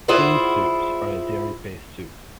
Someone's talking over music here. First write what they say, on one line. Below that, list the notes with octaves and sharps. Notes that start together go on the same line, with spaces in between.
Cream soups are a dairy based soup.
E4 F4 G#4 C5 D5 F#5